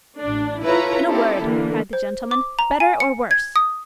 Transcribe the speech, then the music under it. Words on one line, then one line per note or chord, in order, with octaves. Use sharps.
'In a word!' cried the gentleman, 'Better or worse?'
A1 D4
E4 F4 A4 B4 C#5 A#5
C4 C#4 D#4 E4 G4 A4
D3 E3 A#3
C5
D6
A#5
G#5
C#7
G#6
D#6